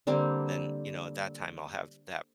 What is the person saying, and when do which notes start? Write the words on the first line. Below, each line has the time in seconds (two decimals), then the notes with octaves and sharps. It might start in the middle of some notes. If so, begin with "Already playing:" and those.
then, you know, at that time, I'll have that
0.07 D3 G3 A#3 C4